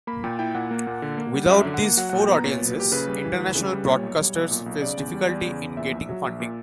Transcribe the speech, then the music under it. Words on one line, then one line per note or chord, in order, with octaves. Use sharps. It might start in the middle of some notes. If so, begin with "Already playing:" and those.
Without these four audiences, international broadcasters face difficulty in getting funding.
A#3 B5
A#2 G5
E4 G5
A#2 F#5
A#3
A#2
D3
A#3
G3
F#2 E5
D3
F#5
A#3
F#3 F#5
A#2 F#5
G5
B3 A#5
A#2 C#5
F#3
B4
A#2 G4
C#3 B4
G3
E3
D2
C#3
G3
A#2 C#5
B1
G3
B1
A#2
B1
C#3 D5
E2
G3
E2
C#3
E2
A#2 E5
A#1
F#3
A#1
A#2